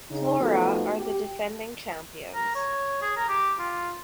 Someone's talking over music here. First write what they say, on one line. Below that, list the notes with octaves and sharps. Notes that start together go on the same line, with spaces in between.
Flora are the defending champions.
C#3 D#4
F3 A3 B3 D#4 F#4 A4
G4
A#4
C#5
G#4
A#4
G4
F4